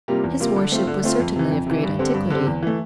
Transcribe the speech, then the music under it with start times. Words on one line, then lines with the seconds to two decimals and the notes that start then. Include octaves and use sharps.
His worship was certainly of great antiquity.
0.08 C3 G3 A#3 F4
0.24 E2
0.40 C3 G3 A#3 F4
0.56 D3
0.72 A3 C4 F4
0.87 D3
1.04 A3 C4 F4
1.20 F2
1.36 C3 E3
1.51 F2
1.67 C3 E3
1.83 G2
1.99 D3 G3 C4
2.14 G2
2.30 D3 G3 C4
2.47 E2
2.63 E3 A3